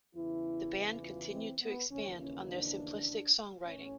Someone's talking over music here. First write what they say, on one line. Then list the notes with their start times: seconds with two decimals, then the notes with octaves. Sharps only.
The band continued to expand on their simplistic songwriting.
0.15 E2 C#3 E3 E4
1.02 F4
1.32 C4
1.62 B3
1.91 D#2 C#3 E3 C#4
2.19 C#4
2.49 D4
3.66 A2 C#4